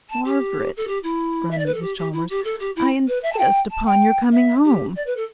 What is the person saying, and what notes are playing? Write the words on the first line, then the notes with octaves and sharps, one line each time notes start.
"Margaret," groaned Mrs. Chalmers, "I insist upon your coming home."
A5
G4
A4
G4
E4
E5
D5
B4
A4
G4
G4
E4
G4
A4
G4
E4
B4
E5
A5
G5
A5
G5
E5
G4
D5
B4
A4